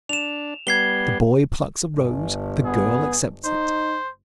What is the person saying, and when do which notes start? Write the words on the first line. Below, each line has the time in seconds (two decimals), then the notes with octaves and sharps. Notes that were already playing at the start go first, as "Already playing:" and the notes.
The boy plucks a rose: the girl accepts it.
0.09 D4 E7 F7
0.67 G3 B3 G#6 C7 G7
1.96 G1
2.65 B3 G#4
3.45 D#4 C5